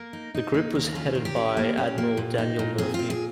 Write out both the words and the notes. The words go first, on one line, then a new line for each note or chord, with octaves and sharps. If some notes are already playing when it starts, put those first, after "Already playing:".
The group was headed by Admiral Daniel Murphy.
Already playing: A#3 A#4
D#4
D#4
A#3
D#2
C#4 F4
D#3
G4
C#4
A#3
C#4
A#3
A#2
D#4
A#2
C4 G#4
A#2 F4
G#4